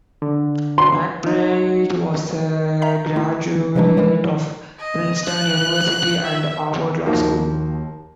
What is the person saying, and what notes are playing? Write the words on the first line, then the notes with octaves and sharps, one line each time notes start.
MacBride was a graduate of Princeton University and Harvard Law School.
D3
C6
D#4
E5 A#5 B6
A3 E4
C3 F3 G3 G#3 C#4 D4
F3 G#3 E4 A#4
D#5
F#6
E5
D#2 D#3 F3 A#3 D#4 F#4 C5